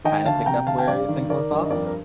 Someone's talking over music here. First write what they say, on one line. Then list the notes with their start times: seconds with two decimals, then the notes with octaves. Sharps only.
kinda picked up where things left off?
0.04 D#3 D#5 G5
0.25 D2 F5 A5
0.46 C3 G5 A#5
0.67 D2 F5 A5
0.78 G5
0.87 G2 D5 F5
1.08 D#3
1.29 D#3 A#4 D5
1.50 G2
1.66 D#5
1.71 F2 A#4 D5
1.86 A#4